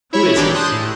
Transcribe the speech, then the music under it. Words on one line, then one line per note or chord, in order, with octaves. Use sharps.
Who is he?'
E4 C#5 B5
G1 D#3 E3 D4 G4 G#6
A5 C6 D#6 F#6 G6
A2